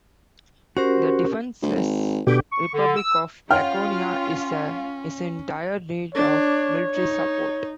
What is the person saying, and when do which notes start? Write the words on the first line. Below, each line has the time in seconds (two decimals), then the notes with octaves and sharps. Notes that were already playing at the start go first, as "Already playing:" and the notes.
The defenseless Republic of Laconia is in dire need of military support.
0.77 C#4 F#4 G4 A#4 C5
1.62 D2
1.75 G#1
2.27 B2 D3 G4
2.52 C#6
2.74 D3
2.96 E6
3.51 C#4 F4 C#5 F#5 G5 F6
6.15 D4 C#5
6.95 D#4